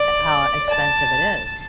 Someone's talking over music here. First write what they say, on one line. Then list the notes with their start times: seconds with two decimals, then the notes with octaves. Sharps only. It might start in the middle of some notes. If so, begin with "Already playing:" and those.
how expensive it is.
Already playing: D5
0.70 A5